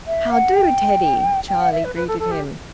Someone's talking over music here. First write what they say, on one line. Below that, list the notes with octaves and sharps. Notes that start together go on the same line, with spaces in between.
"How do, Teddy?" Charlie greeted him.
E5
F#5
G5
G5
F#5
E5
B4
B4
A4
A4
G4